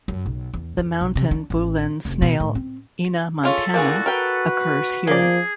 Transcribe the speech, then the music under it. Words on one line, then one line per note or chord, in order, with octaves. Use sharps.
The Mountain Bulin snail "Ena montana" occurs here.
F#2
B1
E2
F2
B1
C3
D4
A1
F1
B2
A2
C4
C#4 F4 G#4 A4
A#2 A#3 B3 E4 F#4 G#4
F#4 A#4 B4 G5
F3 A#3 G#4 D5